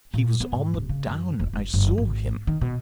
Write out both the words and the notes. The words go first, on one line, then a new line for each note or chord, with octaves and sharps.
He was on the Down--I saw him!
A#2
B3
G#2
D1
C#3
F#2
F1
F1
F#1
G#1
D#3
B2